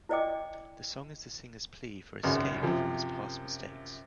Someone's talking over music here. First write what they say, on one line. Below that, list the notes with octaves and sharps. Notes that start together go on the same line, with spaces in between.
The song is the singer's plea for "escape" from his past mistakes.
E4 C5 D5 D#5 G5 D6
G#1 C#2 F#2
F#2 C3 F3